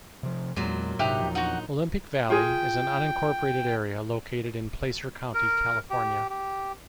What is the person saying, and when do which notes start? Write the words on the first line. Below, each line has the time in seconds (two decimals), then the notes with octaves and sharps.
Olympic Valley is an unincorporated area located in Placer County, California.
0.23 C3 F3
0.56 E2 A#2 F#3 G#3
0.99 G#2 C3 D#4 G4 E5 F#6
1.21 E2 F3 F#3
1.35 D#4 F#4 F#5
2.30 F4 G#4 G5
5.34 A#4
5.90 G4
6.30 G4